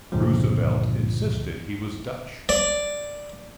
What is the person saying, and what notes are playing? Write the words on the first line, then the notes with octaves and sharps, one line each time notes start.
Roosevelt insisted he was Dutch.
C#2 G2 A#2 D3 F3
D5